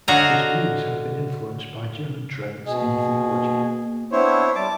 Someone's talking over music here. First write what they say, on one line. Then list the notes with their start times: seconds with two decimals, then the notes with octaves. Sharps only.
His views had been influenced by German trends in theology.
0.08 D3 F#4 C#5 D#5 F5 A#5
2.66 B2 G#4 D#5
2.80 A#3
4.12 B3 C4 D4 E4 C5 C#5
4.55 G3 E5 A5 D6